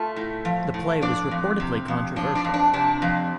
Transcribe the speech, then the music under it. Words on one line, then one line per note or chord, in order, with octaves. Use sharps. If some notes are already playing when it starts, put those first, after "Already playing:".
The play was reportedly controversial.
Already playing: A3 F4
A2
F3
A2
F3 D4 D5
F2
C3
F2
F3 D4
D4
F2
D4
C3 D4
F2